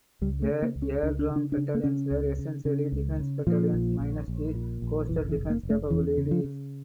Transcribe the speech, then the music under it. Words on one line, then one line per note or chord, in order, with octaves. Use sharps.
The Airdrome battalions were essentially defense battalions minus the coastal defense capabilities.
C#2 G3
A3
C#3
A#3
C#2
C#4
C#2 D4
D4
C#3
D4
D4
C#3
A#3
C#3 C#4
C#2
C#3
C#3
C#2
C#3
A#2 F3
A#1
A#1
A#1
A#2
A#1
F1 E3
E3
F1
A#3
F1
A3
E2 E3
C#3
F3
C#3